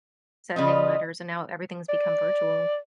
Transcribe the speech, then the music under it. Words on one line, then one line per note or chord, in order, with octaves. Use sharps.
sending letters, and now everything's become virtual.
C#3 G3 F4 D#5
D5